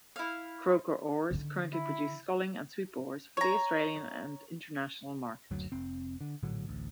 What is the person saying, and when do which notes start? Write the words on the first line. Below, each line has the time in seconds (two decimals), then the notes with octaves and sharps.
Croker Oars currently produce sculling and sweep oars for the Australian and international market.
0.16 E4 F5
1.31 D3 D#3
1.73 E4
3.37 C#5 A#5
5.51 F#1 D2 F#3
5.72 F1 C4
6.21 D3
6.43 A#1 A2 D3 F#3
6.68 A1 D2